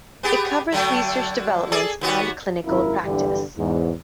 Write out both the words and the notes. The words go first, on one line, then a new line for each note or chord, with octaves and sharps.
It covers research developments and clinical practice.
B3 G4 G#4
D3 F#3 A3
G#4 A4 D5
D#2 B3 F#4
G#1 F#2 E4 F4 A#4
B1 G2 D3 E3 G3 G4
E2 G#2